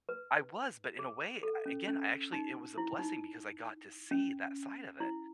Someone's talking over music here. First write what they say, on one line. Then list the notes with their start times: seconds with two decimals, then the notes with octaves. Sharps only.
I was, but in a way, a again, I actually it was a blessing because I got to see that side of it,
0.09 B4
0.99 G#4
1.43 A4
1.66 C#4
1.88 C#4
2.33 D#4
2.78 E4
2.99 D#4
4.11 C#4
5.00 E4